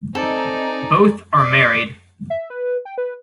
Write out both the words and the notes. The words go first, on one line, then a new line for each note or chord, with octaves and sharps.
Both are married.
C4 D#4 A4 D5 G#5
D5
E5
B4
G5
B4